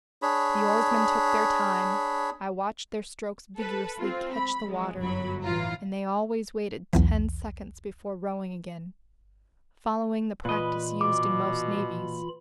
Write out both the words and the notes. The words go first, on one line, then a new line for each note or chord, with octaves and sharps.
The oarsmen took their time. I watched their strokes vigorously catch the water, and they always waited ten seconds before rowing again, following the practice used in most navies.
D4 G#4 C#5 B5
A4 B4
C4 F4
B5
F3 G#3
G1 F#2 F#3 B5
A1 E3 F4 A#5
B1 E2 E3
A#2 E3 F4 B4 D#5 B5
B2 D6